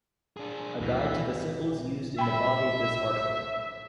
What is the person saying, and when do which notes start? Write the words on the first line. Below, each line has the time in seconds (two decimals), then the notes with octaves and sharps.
A guide to the symbols used in the body of this article.
0.37 D4 G#4
0.80 D2 B2 E3
2.19 E5 G5 B5